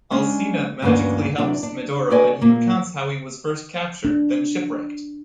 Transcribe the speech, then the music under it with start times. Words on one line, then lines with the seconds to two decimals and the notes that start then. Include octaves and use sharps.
Alcina magically helps Medoro and he recounts how he was first captured, then shipwrecked.
0.11 G3 G#3 C#4 D4
0.82 D2 G2 A#3 B3 C#4 D4
1.38 E2 C3 F#3 D4 D5
1.63 D4
2.10 F#4 A4 B4 D5 D#5 G#5
2.41 A#2 A#3
4.05 D4